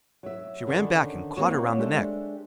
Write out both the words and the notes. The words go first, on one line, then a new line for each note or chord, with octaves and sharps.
She ran back, and caught her round the neck.
F#3 E5
D3 D#3 C#4 D4 A4 B4
A#3 C4 D#4 F#4 G4 C#5
G#3 D4 G4 A4 C5 E5